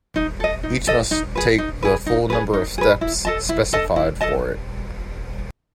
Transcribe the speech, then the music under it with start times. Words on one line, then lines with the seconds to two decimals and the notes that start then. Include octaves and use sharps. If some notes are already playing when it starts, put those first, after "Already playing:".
Each must take the full number of steps specified for it.
0.16 D#4
0.40 A4 D#5
0.63 D#4
0.87 A4 D#5
1.11 D#4
1.35 G#4 B4
1.58 D#4
1.83 G#4 B4
2.06 D#4
2.30 G#4 B4
2.53 D#4
2.78 G#4 B4
3.01 E4
3.25 A4 D#5 A5
3.49 E4
3.73 A4 D#5 A5
3.96 E4
4.21 A4 D#5 A5